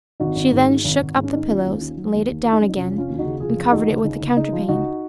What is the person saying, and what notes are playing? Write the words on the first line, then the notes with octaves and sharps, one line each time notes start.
She then shook up the pillows, laid it down again, and covered it with the counterpane.
G#1 D#4 F#4
G#1
G#2
D#3
G#1
G#1
G#2
C#4
D#3 D#4
D#2 C#4 F4
D#2
D#3
F#3
D#2
D#2
D#3 F4
D#4
F#3 C#4
D#4
F1 C#4 F4
F3
C#4 F4
D#2
F4
D#4 F#4
C#3
F1 F4 G#4
F3
G#4
D#2 D#4 F#4
C#3
C#2 D#4
C#2
C#3 D#4
F3
C#2 D#4 F#4